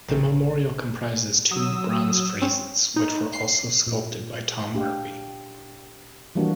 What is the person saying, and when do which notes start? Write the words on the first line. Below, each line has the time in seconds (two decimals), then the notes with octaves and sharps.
The memorial comprises two bronze friezes, which were also sculpted by Tom Murphy.
0.09 A1 C3
1.51 F#3 D#6 E6
2.42 C4 C#4
2.96 D#4
3.33 C7
3.87 A#2
4.74 D4 G4 F5
6.35 E3 F3 G3 A#3 D4 F#4